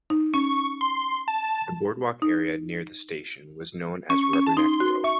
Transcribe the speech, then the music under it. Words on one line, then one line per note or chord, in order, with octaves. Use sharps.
The boardwalk area near the station was known as Rubberneck Row.
D#4
C#4 C#6
C6
A5
D#4
C#4 C#6
C#4
A5
D#4 C6
F#4
E5 C#6